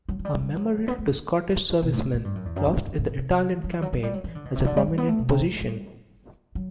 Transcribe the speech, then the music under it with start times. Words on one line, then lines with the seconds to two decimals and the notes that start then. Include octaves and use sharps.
A memorial to Scottish servicemen lost in the Italian campaign has a prominent position.
0.09 F#3
0.19 F#3
0.25 G3
0.40 G3
0.56 F#3
0.88 B3
0.98 A3
1.09 D3
1.83 B2
1.93 A2
2.14 A2
2.25 G2
2.35 F#2
2.45 E2
2.56 F#2
2.67 G2
2.77 F#2
2.87 G2
2.98 A2
3.09 C3
3.57 G3
3.64 F#3
3.71 E3
3.82 F#3
3.93 F#3
4.03 G3
4.14 F#3
4.24 E3
4.35 D3
4.45 B2
4.56 C3
4.66 D3
4.77 G3
4.87 G3
4.98 B3
5.08 A3
5.19 B2
5.29 C3
5.40 A3
5.50 A3
5.61 G3
6.55 F#3